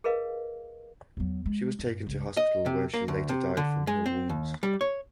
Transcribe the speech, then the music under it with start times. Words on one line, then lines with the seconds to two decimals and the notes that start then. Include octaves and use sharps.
She was taken to hospital where she later died from her wounds.
0.04 G#4 A#4 B4 D#5 F5
1.17 E2 F#3
1.46 G#3
1.79 G2
2.07 C#2 G#3
2.37 D#5
2.66 C3
2.94 A#3
3.08 D2
3.29 C3
3.57 D3
3.87 G#3
4.06 C4
4.29 D#2
4.63 G3
4.81 C#5